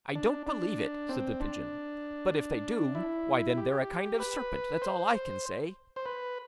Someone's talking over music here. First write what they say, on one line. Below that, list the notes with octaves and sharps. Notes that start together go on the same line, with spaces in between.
'I don't believe it,' said the Pigeon; 'but if they do, why then they're a kind of serpent, that's all I can say.'
D4
D4
C4
D4
E4
G4
B4
C5
C5
C5
B4